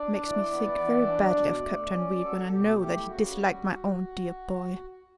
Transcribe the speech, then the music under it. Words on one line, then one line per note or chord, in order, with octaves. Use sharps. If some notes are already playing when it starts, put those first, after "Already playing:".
It makes me think very badly of Captain Reid when I know that he disliked my own dear boy.
Already playing: D4 D5
E3
B3
E3
D4
B2
A3
C#4
F#3 A4
B2 G4
A3 G4
E4
C#3 F#4
G3